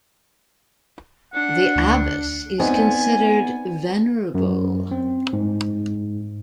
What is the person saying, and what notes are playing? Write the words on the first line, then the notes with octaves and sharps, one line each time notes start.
The abbess is considered "Venerable".
D4 F#5
D2
B3 C4 D#4 D5 G#5
F#2
C4
G#2